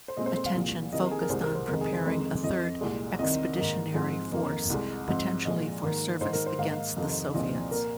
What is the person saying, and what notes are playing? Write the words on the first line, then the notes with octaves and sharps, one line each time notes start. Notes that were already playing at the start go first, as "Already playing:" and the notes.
Attention focused on preparing a third Expeditionary Force potentially for service against the Soviets.
C5
A#2 G#3 C4 D#5
C5
C5
F5
C2 A#2 F3
C2 C3 D#3 A#3 D#5
A#4
G#4
A#4
C2 C3 G#3 C4 C5
A#4
C5
F2 C3 D#3 G#3 A#4
G#4
C5
F2 D#3 G#3 C4
F2 F3 C4 D#5
C2 A#2 G#3
C2 C3 D#3 C4 D#5
G#2 D#3 A#3
G#2 F3 G#3 C4
F2 D#3 A#3
C2 C3 G#3
G#2 F3 C4
A#2 F3 G#3 D#5
G#2 D#3 A#3
G#2 D#3 A#3 C5
A#4
C5
G#2 D#3 A#3 F5
F2 C3 D#3 C4
C2 A#2 F3 C4 D#5
A#2 A#3 A#4